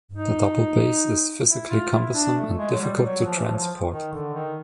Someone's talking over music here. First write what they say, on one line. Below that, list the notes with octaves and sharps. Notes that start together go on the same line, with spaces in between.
The double bass is physically cumbersome and difficult to transport.
D#4
E4
F4
E4
D4
A3
G#3
F#3
G3
G3
F#3
F3
E3
F3
F#3
F3
D#3
D3
D#3